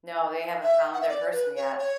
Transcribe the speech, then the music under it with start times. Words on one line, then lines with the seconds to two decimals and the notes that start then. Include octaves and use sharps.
No, they haven't found their person yet.
0.62 E5
0.94 F#5
1.01 E5
1.09 D5
1.32 B4
1.56 C#5
1.79 C#5